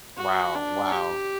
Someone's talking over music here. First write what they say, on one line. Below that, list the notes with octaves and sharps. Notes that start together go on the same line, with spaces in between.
Wow, wow.
F#4
D4
G4